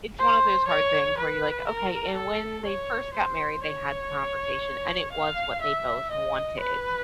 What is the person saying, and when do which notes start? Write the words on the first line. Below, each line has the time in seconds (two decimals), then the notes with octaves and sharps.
it's one of those hard things where you're like, "Okay," and when they first got married, they had the conversation, and it was what they both wanted.
0.18 C5
0.68 C#5
1.17 B4
1.67 A#4
2.15 A4
2.65 C#5
3.14 C5
3.63 C#5
5.12 F5
5.61 E5
6.11 D#5
6.60 B4